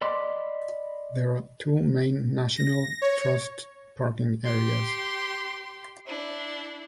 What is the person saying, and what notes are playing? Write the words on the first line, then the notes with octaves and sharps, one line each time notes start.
There are two main National Trust parking areas.
D5 D#5 B5 C6 D6
A#6
C#5
G4 C6
D4 E4